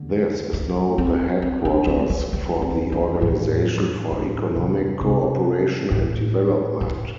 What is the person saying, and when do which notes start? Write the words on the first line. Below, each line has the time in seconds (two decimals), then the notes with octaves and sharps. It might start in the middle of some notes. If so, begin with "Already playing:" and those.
This is now the headquarters for the Organisation for Economic Co-operation and Development.
Already playing: D3
0.53 A3
0.98 C4
1.42 C4
1.65 D4
1.87 C4
2.10 A3
2.33 A3
2.62 C4
2.92 A3
3.22 A2
4.12 A2
4.56 C3
5.01 C3
5.91 A2
6.81 A2